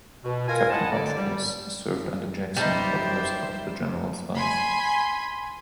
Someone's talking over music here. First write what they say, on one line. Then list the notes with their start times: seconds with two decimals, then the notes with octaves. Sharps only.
Captain Hotchkiss served under Jackson for the rest of the general's life.
0.24 B2
0.48 F4 A#4 G#5
0.70 C4 E4 D#5 F#5 A5
0.92 D3 D5
1.17 G3
2.56 G3 D#4 G4 B4 C5 D5 E5 A5
4.37 G#5 B5 C6